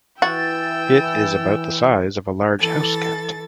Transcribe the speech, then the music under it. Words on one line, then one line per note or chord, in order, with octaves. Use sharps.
It is about the size of a large housecat.
E3 F#4 G5 E6 A6
E3 A4 A6